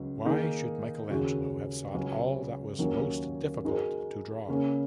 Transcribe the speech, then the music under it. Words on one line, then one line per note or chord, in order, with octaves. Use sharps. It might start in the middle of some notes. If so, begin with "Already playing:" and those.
Why should Michelangelo have sought all that was most difficult to draw?
Already playing: C#2 C#3 F#3
D#3 A#3 D#4 G#4
D#2 C#3 G#3 C#4 F#4
C#2 C#3 F#3 C#4
D#2 D#3 F#3 A#3 C#4
G#2 G#3 D#4 F#4 A#4
C#3 A#3 C#4